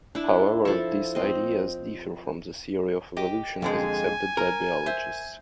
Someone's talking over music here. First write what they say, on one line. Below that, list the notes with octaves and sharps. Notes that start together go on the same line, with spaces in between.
However, these ideas differ from the theory of evolution as accepted by biologists.
D4 E4
F3 E4 A4
C4 D#5
G4 D#5 D6
F2 D3 G#3 G#5
A#4 A#5
C5 E5